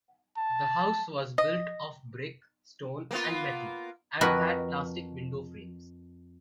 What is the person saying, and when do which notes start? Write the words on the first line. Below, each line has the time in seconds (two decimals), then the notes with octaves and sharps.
The house was built of brick, stone and metal, and had plastic window frames.
0.37 A5
1.38 D#5
3.11 A#3 B3 F4
4.21 F2 F#4 A#4 B4 D#5